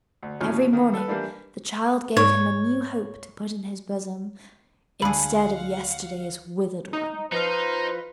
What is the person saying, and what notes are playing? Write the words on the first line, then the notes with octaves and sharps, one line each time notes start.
Every morning the child gave him a new hope to put in his bosom, instead of yesterday's withered one.
D2
D#2 A2 F#3 C#4 F6
D#3 A#3
A4 B4
E3 G3 A#3 D4 E4
G#2 C#5
D2 A3 D4 G#4 F5 F#5 B5
D#4
F3 D#4 B4 C5 F5